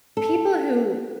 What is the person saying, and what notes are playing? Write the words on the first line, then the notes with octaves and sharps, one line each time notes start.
people who
A4